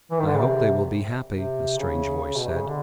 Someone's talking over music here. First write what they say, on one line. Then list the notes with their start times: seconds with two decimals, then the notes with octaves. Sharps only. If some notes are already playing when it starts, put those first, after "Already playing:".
"I hope they will be happy," a strange voice said.
0.11 E3
0.19 D#3
0.26 D3
0.34 C#3
0.41 C3
1.32 C3
1.78 C#3
2.23 C#3
2.36 B2
2.47 C3
2.58 C#3
2.67 D3